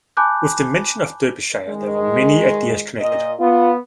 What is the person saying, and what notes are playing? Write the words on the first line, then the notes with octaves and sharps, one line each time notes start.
With the mention of Derbyshire there were many ideas connected.
G#5 A5 B5 D6 F#6 G6
D#3 G#3
A#2 D#5
B3 F4